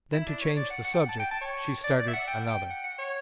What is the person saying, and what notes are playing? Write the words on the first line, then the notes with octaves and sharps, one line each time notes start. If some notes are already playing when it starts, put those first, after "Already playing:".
Then to change the subject, she started another.
E4
D4
C#5
D5
F#5
F#5
G5
F#5
A5
G5
A5
C#5
D5
D5
E5
F#5
G5
G5
F#5
F#5
C#5